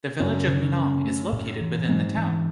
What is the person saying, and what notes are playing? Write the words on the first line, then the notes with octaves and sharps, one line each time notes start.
The Village of Minong is located within the town.
F#2 C#3
C#3
C#4
A3
A2
E3
G#2 C4
E3